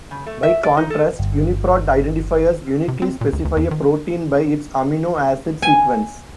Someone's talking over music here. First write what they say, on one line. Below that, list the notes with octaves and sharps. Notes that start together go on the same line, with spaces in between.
By contrast, UniProt identifiers uniquely specify a protein by its amino acid sequence.
C#3
A3
E5
D5
D#4
A4
G1
C3
C4
A#2
D2
D2
E2
D#3
G#5